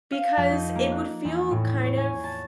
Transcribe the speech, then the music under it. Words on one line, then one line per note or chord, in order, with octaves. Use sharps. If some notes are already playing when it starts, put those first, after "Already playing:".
because it would feel kind of
F5
F2
D#4
A#3
F#6
E2
A2
C#5
G#5
A5